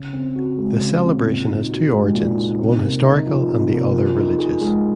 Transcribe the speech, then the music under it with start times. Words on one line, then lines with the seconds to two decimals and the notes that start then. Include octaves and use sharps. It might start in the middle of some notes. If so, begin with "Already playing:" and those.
The celebration has two origins, one historical and the other religious.
Already playing: C#3
0.13 C4
0.36 F#4
0.58 G#3
0.80 C#3
1.02 C4
1.25 A#2
1.47 D#4
1.70 F#4
1.92 G#3
2.14 A#2
2.37 D#4
2.59 C3
2.81 A#3
3.04 D#4
3.26 F3
3.49 C3
3.71 A#3
3.93 F3
4.16 D#4
4.38 G#4
4.61 G#3